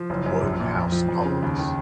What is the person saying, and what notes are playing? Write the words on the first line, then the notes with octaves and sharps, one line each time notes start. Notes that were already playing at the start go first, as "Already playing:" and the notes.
Wodehouse novels.
Already playing: F3
F#1
F#2
A#1
A#2
F2
F3
F2
C#3
D#2
D#3